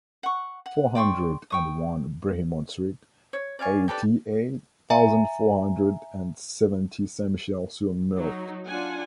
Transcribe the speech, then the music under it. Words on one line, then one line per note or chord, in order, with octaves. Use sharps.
Four hundred and one Brehimont Street, eighty-eight thousand four hundred and seventy Saint-Michel-sur-Meurthe.
F#5 C#6
F#5
D5 G5 C6 C#6
G5 C#6 D#6
C#5
D5 F5 G#5 C#6
G4 A4 B4 D5
E5 G#5 A#5
F#3 D#4
D4 F4 F#5 G#5